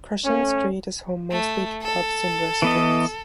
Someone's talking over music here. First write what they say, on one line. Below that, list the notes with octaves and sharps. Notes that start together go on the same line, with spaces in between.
Crescent Street is home mostly to pubs and restaurants.
A3 C#4
A3
A4
E3 B3 D#5